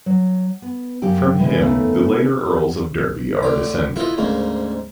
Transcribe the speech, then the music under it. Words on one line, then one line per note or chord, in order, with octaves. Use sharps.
From him the later Earls of Derby are descended.
F#3
B3
F#2 C#3 F#3 G4 G5
B2 E3 G#3
C#3 A3 B3 D#4 A4 A#4
A2 D3 D6
E4 F4 A4 B4 D#5
D2 G#2 C#3 A#3